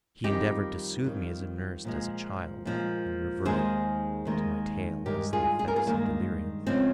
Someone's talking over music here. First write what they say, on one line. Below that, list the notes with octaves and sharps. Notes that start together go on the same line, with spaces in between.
He endeavoured to soothe me as a nurse does a child and reverted to my tale as the effects of delirium.
F2 D#3 G3 D#4 G4
F2 D#3 G3
A#2 F3 G#3
A#2 F3 G#3
D#2 D#3 G#3 G#4 C5
D#2 D#3 G#3
G2 D#3 G#3 G4 A#4
F4 G#4
G#4
A#4
F4 G#4
G2 D#3 G#3 A#3
C#3 F3 G#3 C4